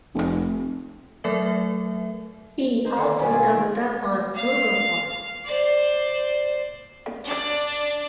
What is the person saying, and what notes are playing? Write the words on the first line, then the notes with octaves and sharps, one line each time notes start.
He also doubled up on flugelhorn.
F1
F#3 A3 A4 A#4 E5
D#4 C5
D3 D#3 A#3
B2 G3 C#4
C4 F4 G#4
D#3
F5
C5 D5
D4 D5